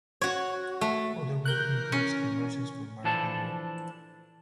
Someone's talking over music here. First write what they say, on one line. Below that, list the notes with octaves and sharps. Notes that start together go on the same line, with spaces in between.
Other work includes commercials for Miracle-Gro.
F#4 C#5
A3
E3 A#4 F#6 G6
C#4
E3 F3 D4 A4 A5